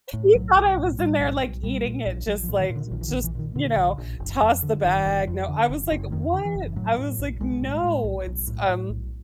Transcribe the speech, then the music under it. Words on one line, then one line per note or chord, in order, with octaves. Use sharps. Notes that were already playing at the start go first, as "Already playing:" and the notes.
He thought I was in there, like, eating it just, like just, you know, toss the bag, no, I was like, "What?" I was like, "No, it's, um
A2
B1 F#3
B1
A2
A2 G3
B1
B1
A#2 G3
A#2
A#1
A#1 F#3
F3
A#2
D#3
A#2
D3
A#1 D#3
E3
D#3
A#1
E3
A#2 D#3
A#2 D3
A#1
A#1
F#1
F2
D3
F#1 D#3
F#1
F2
D3
F#1
F#1
F2 D#3
D3
E3
F#1
A2 F#3
A2
B1
B1 G#3
A2
A2
B1
B1
A2
A2
B1